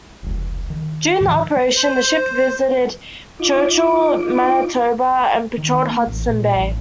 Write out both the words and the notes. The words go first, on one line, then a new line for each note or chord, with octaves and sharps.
During the operation, the ship visited Churchill, Manitoba and patrolled Hudson Bay.
F1 C#2
D#3
G#2 D#3 F3
C5
D#4 F4 D6
D#3
A#3
A1
A#2
A1